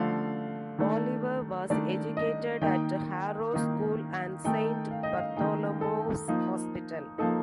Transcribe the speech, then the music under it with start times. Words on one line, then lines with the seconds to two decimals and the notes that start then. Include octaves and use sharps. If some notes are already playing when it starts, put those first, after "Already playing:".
Oliver was educated at Harrow School and Saint Bartholomew's Hospital.
Already playing: D3 F3 A3 F5
0.79 D#3 A3 D4
1.70 D#3 A3 D4 D5
2.17 D#5
2.62 D#3 A#3 D#4 G5
3.53 D#3 A#3 D#4
4.44 D#3 A3 D#4 G5
4.91 F5
5.03 D#5
5.17 F5
5.37 D#3 A3 D#4 G5
5.81 A4
6.28 F3 A#3 D#4
7.18 F3 A#3 D#4 A4